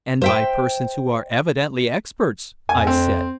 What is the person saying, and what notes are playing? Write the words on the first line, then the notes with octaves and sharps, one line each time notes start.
"And by persons who are evidently experts," I said.
C5 E5 G5
F2 G#5
C4